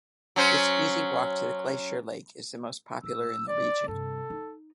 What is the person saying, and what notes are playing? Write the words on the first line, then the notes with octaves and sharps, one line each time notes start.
This easy walk to the glacier lake is the most popular in the region.
F#3 C#4 C5
A2 E6
D5
G2 C3 A4
D#4